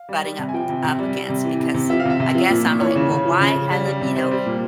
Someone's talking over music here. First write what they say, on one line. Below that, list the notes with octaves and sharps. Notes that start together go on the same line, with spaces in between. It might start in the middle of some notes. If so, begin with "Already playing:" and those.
butting up up against because I guess I'm like, "Well, why hasn't, you know,
Already playing: F5
G3
G3
C3
G#5
F3 G5
C3
C3
G3
G3
C3
E3
C3
C3
F3 E5
F5
C3 E5
C3
F3
A#2
A#2
E3 C#5
C#3
C#3
F3
C#3
C#3
G3
G3
C3
G3 C5
G3
A#2